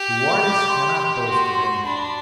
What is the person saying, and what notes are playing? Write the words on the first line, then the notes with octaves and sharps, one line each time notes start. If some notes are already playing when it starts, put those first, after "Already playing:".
"De Wardes cannot boast of anything."
Already playing: G4
G5
B5
D6
C6
B5
C6
F#4
D4 B5
B5